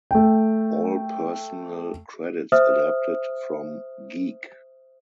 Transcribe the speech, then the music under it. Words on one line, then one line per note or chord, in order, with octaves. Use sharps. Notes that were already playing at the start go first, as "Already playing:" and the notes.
All personnel credits adapted from Geek!
A3 G5
C5 E5 D#6 F6